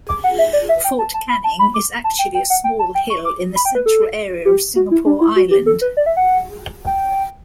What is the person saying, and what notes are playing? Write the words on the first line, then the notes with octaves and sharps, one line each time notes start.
Fort Canning is actually a small hill in the Central Area of Singapore Island.
D6
F#5
E5
D5
E5
G5
A5
A5
B5
A5
B5
D6
A5
G5
G5
F#5
G5
A5
G5
C#6
D6
B5
G5
B4
A4
G4
F#4
E4
D4
E4
F#4
G4
A4
B4
D5
E5
F#5
G5